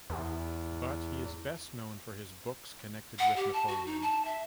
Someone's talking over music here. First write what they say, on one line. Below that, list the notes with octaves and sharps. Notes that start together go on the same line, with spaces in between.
But he is best known for his books connected with Napoleon.
E2
F#5
G4
A5
F#4
D#4
A5
E5